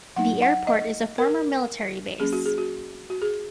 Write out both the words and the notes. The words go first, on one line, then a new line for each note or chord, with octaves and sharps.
The airport is a former military base.
F#3 D#4 F#5
F#5
D#5
A#4
F#3 A#3 C#4 G#4
F#4
G#4
F#4
F#4
G#4